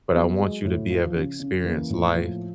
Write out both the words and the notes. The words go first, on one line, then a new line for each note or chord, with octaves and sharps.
but I want you to be able to experience life
F#3 B3
F#3 G#3
A2
F3
C#3
C#3
E3 A#3
A2
F3